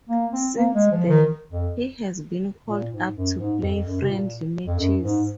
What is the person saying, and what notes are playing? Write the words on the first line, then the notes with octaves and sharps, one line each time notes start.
Since then, he has been called up to play friendly matches.
A#3
C4
A#3
G#3
F3
D#3
F2
A#2
G#2
F#2
G#2
F2
F2
F#2
C3
A#2
F2
F#2
G#2